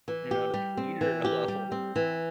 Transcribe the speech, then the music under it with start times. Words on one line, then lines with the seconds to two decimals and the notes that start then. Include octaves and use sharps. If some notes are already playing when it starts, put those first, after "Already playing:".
you're not a theater level.
0.08 E3
0.31 G4
0.54 G3
0.77 C4
1.01 E3
1.25 G4
1.48 G3
1.72 C4
1.96 E3